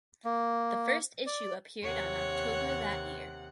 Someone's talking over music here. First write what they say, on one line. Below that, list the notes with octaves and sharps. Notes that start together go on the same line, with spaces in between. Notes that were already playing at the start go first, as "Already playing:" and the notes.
The first issue appeared on October that year.
A#3
D5
D#2 C3 C#5 F#5